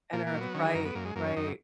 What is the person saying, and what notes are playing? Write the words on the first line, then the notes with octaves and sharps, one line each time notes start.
And Earth, right, right.
A#2 A#3
A#3
F#3
B3
D#3 C#4
G#4
F#2 A#4
B3
F#2 A#3
G#3
F#2 A#3
C#4
F#2 D#4